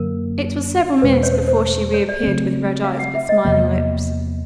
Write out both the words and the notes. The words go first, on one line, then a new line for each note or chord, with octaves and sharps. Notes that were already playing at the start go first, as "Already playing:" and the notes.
It was several minutes before she reappeared with red eyes, but smiling lips.
Already playing: F#2 D3 F#3 A#3 A#4
E2 B2 G#3 B4
C5
C#5
B4
C5
C#5
D5
C#3 F#3 A3 C4
F5
F#5
E5
D#5
E2 C3 F3 A#3